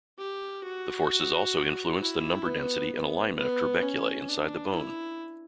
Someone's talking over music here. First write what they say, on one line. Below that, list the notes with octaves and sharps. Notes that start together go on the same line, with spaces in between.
The forces also influence the number density and alignment of trabeculae inside the bone.
G4
F#4
E4
B3
B3
B3
C#4
D4
E4